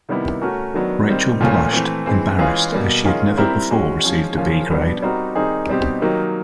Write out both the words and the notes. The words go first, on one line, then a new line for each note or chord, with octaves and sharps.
Rachel blushed, embarrassed, as she had never before received a B grade.
C3 D#3 G3 B3 E4
A3 C#4 F#4 A#4
D#3 F#3 B3 D4
D#3 G3 C4
A#2 F3 A3 C#4
E3 A3 C4
E3 G#3 C4
E3 G#3 C#4 F4 G#4
B2 G3 A#3
D#3 G#3 C#4 F4 G#4
G3 C4 E4 G4 A#4
G#3 C#4 F#4
F3 G#3 C#4
C#3 F3 A#3 C#4 F4
B2 G3 B3 D4
G3 C4 D#4 F#4 A#4
D#3 G3 C4 D#4 G#4
B2 G3 C4 D#4 G4
D#3 F#3 A#3 D#4 G4